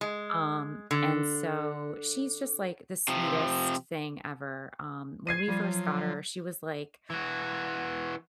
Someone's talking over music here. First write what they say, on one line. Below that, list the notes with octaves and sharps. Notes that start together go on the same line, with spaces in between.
Um, and so, she's just like the sweetest thing ever. Um, when we first got her, she was like
G#3
D3
C3 F3
G#6 C7 D#7
F3 G3
F#3
E3 F#4